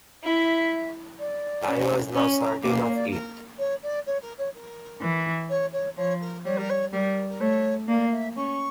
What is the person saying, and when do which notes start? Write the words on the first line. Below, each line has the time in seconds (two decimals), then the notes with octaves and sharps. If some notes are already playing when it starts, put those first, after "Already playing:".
I was now certain of it.
0.24 E4 E5
1.19 D5
1.67 C#4
2.14 C#4 C#5
2.39 A#5
2.62 A#3 D6
2.88 C#5
2.94 D5
3.10 A#4
3.58 C#5
3.83 D5
4.06 C#5
4.22 A#4
4.38 C#5
4.54 A#4
5.01 E3
5.49 C#5
5.73 C#5
5.97 F3 C#5
6.21 A#4
6.44 G3 C#5
6.57 A#4
6.69 C#5
6.92 G3 A#4
7.29 A#4
7.40 A3 C#5
7.88 A#3 D5
8.11 E5
8.36 C#4 C#6